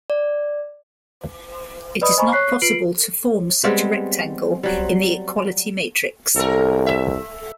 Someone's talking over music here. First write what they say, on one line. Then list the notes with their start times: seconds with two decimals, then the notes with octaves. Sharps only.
It is not possible to form such a rectangle in the equality matrix.
0.10 D5
2.02 B4 D5 D#5 B5 D#6
2.17 C5 D#5 G#5 A#5 B5 C#6
2.32 C#5 C#6 F#6 B6 C7
2.62 F4 B4 C7 D7 F#7
3.64 G3 G#3 B3 C4
4.63 F#3 G3
6.36 C2 A4 A#4
6.86 E5